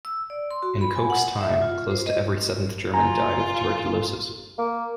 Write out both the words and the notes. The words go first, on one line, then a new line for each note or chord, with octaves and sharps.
In Koch's time, close to every seventh German died of tuberculosis.
E6
D5
C6
F#4
B5
G#5
F#5
E5
F4
C5
D#5
F4 G#5 A#5
A#3